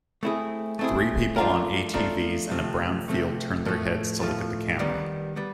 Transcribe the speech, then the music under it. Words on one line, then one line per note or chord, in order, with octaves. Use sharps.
Three people on ATVs in a brown field turn their heads to look at the camera.
A3 C4 E4 G#4
A3 C4 E4 G#4
F3 A3 D4 F4 A#4
F3 A3 D4 F4 A#4
C3 F3 A3 C4
C3 F3 A3 C4
A2 F3 A3
A2 F3 A3
D#3 G3 B3
G3 B3